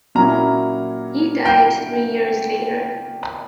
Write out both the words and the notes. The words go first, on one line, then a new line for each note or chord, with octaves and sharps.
He died three years later.
A#2 F#3 A#3 C#4 E4 A#5
G5